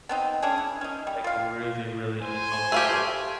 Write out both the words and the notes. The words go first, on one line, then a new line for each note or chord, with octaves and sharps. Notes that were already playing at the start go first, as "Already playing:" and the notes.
like, really, really uncomfortable,
B3 C4 D#4
C#4 D4 G#4
E4
C#4 D#4
G3
F4 F5
C5 G#5
A3 F4 G4